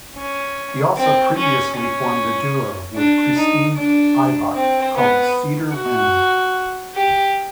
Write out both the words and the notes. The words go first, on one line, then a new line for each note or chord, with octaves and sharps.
He also previously formed a duo with Christine Ibach called Cedar Wind.
C#4
C4
C#4
C#4
D4
D#4
D4
C4
B3
F#4
G4